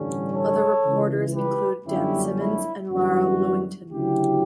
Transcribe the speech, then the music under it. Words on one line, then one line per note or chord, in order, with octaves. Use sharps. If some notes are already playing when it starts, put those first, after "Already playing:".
Other reporters include Dan Simmons and Lara Lewington.
Already playing: A1 G2 D3 G3 C#4
A4 C#5
C#2 C#3 E3
G4 B4
G1 F#2 D3 G3 C#4 E4 G4
E4
G1 F#2 E3 G3 F#4
D2 C#3 F#3 E4 G4